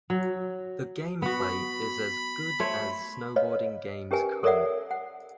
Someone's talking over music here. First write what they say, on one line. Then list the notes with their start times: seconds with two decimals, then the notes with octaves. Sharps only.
The gameplay is as good as snowboarding games come.
0.10 F#3
1.22 B3 F#4 B5
2.60 A3 C5 C#5
3.36 B4 C#5 D#5 F5
4.11 C#4 G4 A#4 B4 G#5
4.43 A4 A#4 C#5 D5 E5 F#5
4.91 F#5